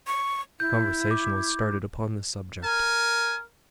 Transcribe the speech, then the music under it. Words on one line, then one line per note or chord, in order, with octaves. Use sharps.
Conversation was started upon this subject.
C#6
E4 G6
D6
A#4 G#5